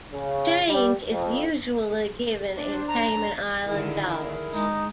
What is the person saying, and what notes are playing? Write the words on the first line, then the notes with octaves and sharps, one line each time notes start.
Change is usually given in Cayman Island dollars.
C#3
G3
F2
D4 C5
A#5
D3 D#3 E4 G#4 A#4
G#3 D#4